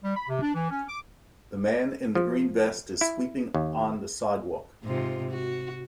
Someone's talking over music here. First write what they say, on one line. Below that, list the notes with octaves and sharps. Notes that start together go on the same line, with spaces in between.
The man in the green vest is sweeping on the sidewalk.
G3
B5
C3
D4
E3
C#4
D6
F3
E4
D#2
G#2 C3 F4
F#4